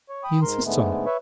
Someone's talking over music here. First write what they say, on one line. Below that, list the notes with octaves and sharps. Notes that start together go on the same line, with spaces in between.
"He insists on it."
C#5
G5 B5 D#6
G#2 A#4 C6
G#2 D3 G#3 A3 B3
B4 C#5 E5